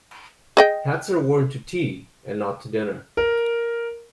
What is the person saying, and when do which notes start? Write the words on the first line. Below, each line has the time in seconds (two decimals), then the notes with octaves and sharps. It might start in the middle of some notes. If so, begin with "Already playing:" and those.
Hats are worn to tea and not to dinner.
0.57 G#4 D#5 G5
3.17 A#4